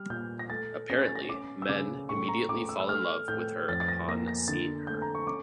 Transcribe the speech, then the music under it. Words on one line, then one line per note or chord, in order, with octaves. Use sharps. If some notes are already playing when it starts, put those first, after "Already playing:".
Apparently, men immediately fall in love with her upon seeing her.
Already playing: G3 F6
A#2 G6
A#6
A3 A6
C#4 A#6
A6
A#6
C#4 D6
E6
C#3 D6
A2 C#6
A#5
A2 D6
E6
E6
A3 F6
A2 G6
F2 A6
A6
A#6
A#3 A#6
A#6
D3 A6
A3 G6
A#5
C#6
C#4 D6